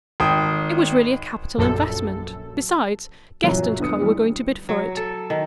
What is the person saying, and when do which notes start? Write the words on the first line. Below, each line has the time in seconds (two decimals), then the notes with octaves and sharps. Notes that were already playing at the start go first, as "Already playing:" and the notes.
It was really a capital investment; besides, Guest &Co. were going to bid for it.
0.20 G#1 G5 D#6
1.58 A#1 F#2 A4
3.44 F#2 A#2 F#3
3.80 D3 B3 D#6 C#7
4.01 E3 G3 G#3 D4
4.69 F#3
4.97 A4
5.30 D#3